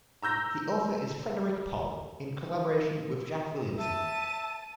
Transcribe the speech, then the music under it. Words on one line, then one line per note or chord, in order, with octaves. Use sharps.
The author is Frederik Pohl, in collaboration with Jack Williamson.
A#5 E6 G6 A#6
E5 A5 D#7